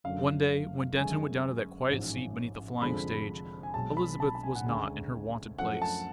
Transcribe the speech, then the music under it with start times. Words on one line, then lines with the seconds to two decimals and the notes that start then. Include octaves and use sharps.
One day, when Denton went down to that quiet seat beneath the flying stage, Elizabeth was not in her wonted place.
0.04 F#1 F#2 D3 F#3 A3 F5
0.97 F#2 D3 G#3 G#5
1.89 A1 G#2 F3
2.82 F1 F2 D3 F3 G#3 B5
3.63 G#5
3.74 B1 B2 G#3 A5
3.97 B5
4.20 A5
4.35 A5
4.43 G#5
4.55 F#5
4.66 D2 C#3 G#3 G#5
5.59 F#2 F3 A3 F#5
5.82 A5